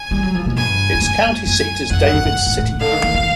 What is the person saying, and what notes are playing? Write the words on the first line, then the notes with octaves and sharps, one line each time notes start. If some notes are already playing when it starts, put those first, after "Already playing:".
Its county seat is David City.
Already playing: G#5
G3
F#3
F3
B2
G2 G#5
G2
F#2
F#2 G#5
F2 F#5
F#2
F#2
F#2
G#2
A2
C#3
D3 F5
D#3
D#3
E3